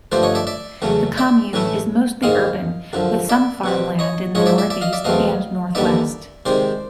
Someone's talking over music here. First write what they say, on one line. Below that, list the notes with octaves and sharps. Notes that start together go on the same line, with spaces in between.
The commune is mostly urban with some farmland in the north-east and north-west.
G2 D3 F3 A3 C5 D5
C#5 D#5
D5 E5
D5 E5
E2 C#3 F#3 A3 C#4
D5 E5
A2 E3 A3 C#4 E4
G#2 D#3 G#3 D#5 F5
F#2 D3 F3
D5 E5
B2 G3 C4
C#5 D#5
G#2 F3 G#3 C#5 D#5
D5 E5
D5 E5
D5 E5
D#5 F5
D5 E5
E2 B2 F#3 A3 C4 D#5 F5
D#2 D3 G3 B3 D#4 D5 E5
C3 D#3 G#3 C5 D5